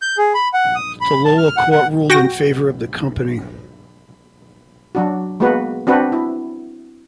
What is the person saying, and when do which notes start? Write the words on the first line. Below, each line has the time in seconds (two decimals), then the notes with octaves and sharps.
The lower court ruled in favor of the company.
0.02 G6
0.18 G#4
0.34 B5
0.54 F#5
0.75 D#6
1.01 B5
1.25 A5
1.38 F6
1.57 F#5
1.71 F#5
2.10 F#4 G5 A#6
4.95 F#3 D4 F#4
5.40 G#3 A#3 B3 F#4 B4
5.87 C4 D4 F#4 B4
6.12 E4